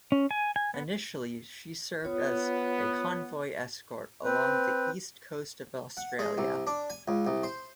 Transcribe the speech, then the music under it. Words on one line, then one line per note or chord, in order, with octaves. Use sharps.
Initially, she served as a convoy escort along the east coast of Australia.
C#4
G#5
G#5
B3
B3 F4 C#5
C4 B4
F#5
G#3
C2
D4
G#5
C#2
C2
C5